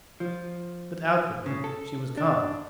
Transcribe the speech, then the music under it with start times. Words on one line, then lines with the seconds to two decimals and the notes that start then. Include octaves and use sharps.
But outwardly she was calm.
0.20 F3
1.46 C#3
1.64 A4
2.17 D4